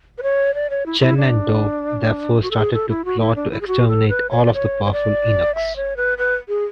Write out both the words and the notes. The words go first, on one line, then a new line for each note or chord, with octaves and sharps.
Chen and Dou therefore started a plot to exterminate all of the powerful eunuchs.
B4
C#5
D5
C#5
E4
E4
D4
F#4
A4
G#4
A4
E4
F#4
E4
D4
E4
G#4
F#4
A4
B4
C#5
D5
C#5
C#5
D5
E5
C#5
B4
B4
G#4